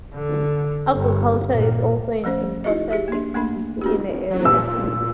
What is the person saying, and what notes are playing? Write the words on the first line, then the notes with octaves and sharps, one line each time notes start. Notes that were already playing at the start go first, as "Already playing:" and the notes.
Agriculture is also an important activity in the area.
D3
G1
A#2
F3 A3 C#4 C5
D#4 E4 F#4 G#4 D#5
G4 G#4 E5
A#3 D4
A3 A#3 D4 B5
C#4 F#4 G4
F#3
A#2 E6